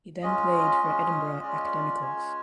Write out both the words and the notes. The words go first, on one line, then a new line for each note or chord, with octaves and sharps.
He then played for Edinburgh Academicals.
G#3 C#4 F4 D#5
G#3 C#4 F4
G#3 C#4 F4 D5
D#5
D5
G#3 C#4 F4 G#5